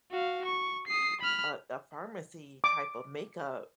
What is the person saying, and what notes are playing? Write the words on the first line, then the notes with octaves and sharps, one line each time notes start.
a a pharmacy type of makeup
F#4 F5
C#6
D#6 C7
B5 F6
D6